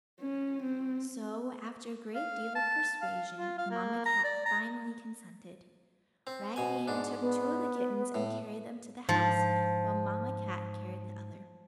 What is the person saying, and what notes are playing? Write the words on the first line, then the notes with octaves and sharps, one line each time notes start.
So after a great deal of persuasion, Mamma Cat finally consented. Raggedy Ann took two of the kittens and carried them to the house while Mamma Cat carried the other.
C#4
C4
F5
A5
F5
F4
F5
A#3
A#5
D5
A#5
C4
B2 G#5
G#2 D4
B3
A2
G#2 F3